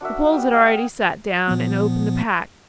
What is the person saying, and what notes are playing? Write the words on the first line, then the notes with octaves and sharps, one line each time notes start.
The Poles had already sat down, and opened the pack.
D4 F#4 A#4 E5
G3 B3
D#5 F5 G5 G#5
A#2 F3 B3